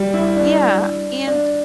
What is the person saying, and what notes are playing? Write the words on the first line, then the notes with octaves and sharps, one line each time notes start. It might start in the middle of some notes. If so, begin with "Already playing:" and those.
Yeah, and
Already playing: G3
E4
D4
D4